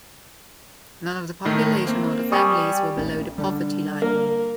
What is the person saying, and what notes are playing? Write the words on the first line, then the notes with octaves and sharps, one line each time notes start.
None of the population or the families were below the poverty line.
A2 D#3 A3
A#3 C4
G3 G#5 C#6 D#6
A#1 A2 C#4
D3 G3
A#3 A#4